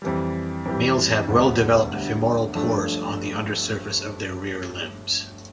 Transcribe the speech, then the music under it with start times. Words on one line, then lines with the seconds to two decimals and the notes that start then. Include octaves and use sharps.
Males have well-developed femoral pores on the undersurface of their rear limbs.
0.02 F2 E3 G3
0.65 F2 E3 G3
1.29 E1 D2 D3 G3 B3
1.92 E1 D2 D3 G3 B3
2.55 G1 G2 F3 A3 D4